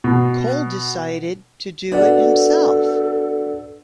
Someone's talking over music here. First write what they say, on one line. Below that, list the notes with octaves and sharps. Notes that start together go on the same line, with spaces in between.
Cole decided to do it himself.
B2
B2 D4 A4 D5 F#5